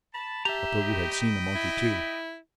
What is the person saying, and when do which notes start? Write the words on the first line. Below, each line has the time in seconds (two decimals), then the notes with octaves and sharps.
Otobu had seen the monkey too.
0.14 A5 B5
0.45 G4 E5 A#5
0.81 D#5 G5 B5
1.55 E4